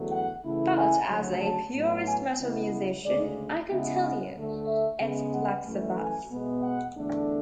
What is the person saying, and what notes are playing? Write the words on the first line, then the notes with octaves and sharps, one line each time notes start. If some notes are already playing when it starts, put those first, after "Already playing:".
But as a purist metal musician, I can tell you- it's Black Sabbath.
Already playing: E2 D3 F#3 A3
F#5
C#3 E3 A3 E4
G#5
D2 C#3 F#3
A5
A2 F#3 B3
G#5
C#3 G#3 B3 E4
D2 C#3 G#3 D5
C#3 G#3 B3 E4 E5
D2 D3 A3
E5
C#3 G#3 B3
F#5
F#2 E3 A3
G#5
B2 G#3 B3
F#5
E2 D3 A3 D4